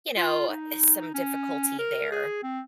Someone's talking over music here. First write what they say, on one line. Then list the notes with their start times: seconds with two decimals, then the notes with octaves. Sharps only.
you know, some difficulty there
0.17 F4
0.49 D#4
1.14 C#4
1.79 A#4
2.11 G#4
2.43 C4